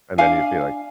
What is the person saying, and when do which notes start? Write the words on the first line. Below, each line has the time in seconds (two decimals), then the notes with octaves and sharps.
and then you'd be like,
0.18 D4 F5 G#5